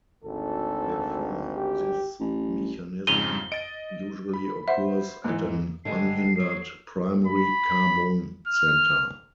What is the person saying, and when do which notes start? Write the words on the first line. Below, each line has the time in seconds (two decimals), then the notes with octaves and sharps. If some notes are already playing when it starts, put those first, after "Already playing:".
Therefore, this mechanism usually occurs at an unhindered primary carbon center.
0.24 G#1 D2 A4
1.56 G4
2.20 A1
3.07 F2 G#2 C#3 D#7 F7 G7
3.52 D#5 A6 D7
4.34 B5
4.68 C5 E5 F#5
5.24 G#2 E3
5.85 D3 G3 G#3 C7
6.40 F#3
7.27 B5
8.48 F6